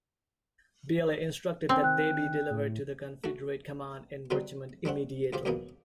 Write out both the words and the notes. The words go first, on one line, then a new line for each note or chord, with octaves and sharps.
Beale instructed that they be delivered to the Confederate command in Richmond immediately.
C4 C#4
D#3 G5 F#6
A2
A3 F#4
B2 D3 F#3 G3 C4 B4
G3 A3 C4 F#5
C#2 F4 G4 C5
C#2 F#2 B2 E3 A#3 B3